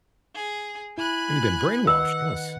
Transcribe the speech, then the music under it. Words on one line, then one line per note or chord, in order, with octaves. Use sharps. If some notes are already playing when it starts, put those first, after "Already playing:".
I mean you've been brainwashed, yes.
G#4
E4 G#5 B5 F#6
D#3 B4 D#5 F#5 E6